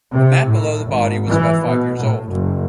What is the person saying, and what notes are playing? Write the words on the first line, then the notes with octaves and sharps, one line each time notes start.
The mat below the body was about five years old.
C3
A2
G#1
E3
B2
A2
F#1